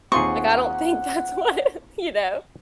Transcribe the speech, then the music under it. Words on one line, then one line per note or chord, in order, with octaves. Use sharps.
Like, I don't think that's what you know?
D#2 C4 F4 G#4 F#5 C6 C#6 D#6